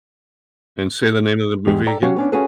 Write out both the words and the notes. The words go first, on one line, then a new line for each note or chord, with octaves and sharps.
And say the name of the movie again.
E2 G#3 G4
A4 D5 G5 A#5
F#3 C#4 F#4 G4 F5
B3 C#4 D4
C#4 F4 F#4 G#4 A4 B4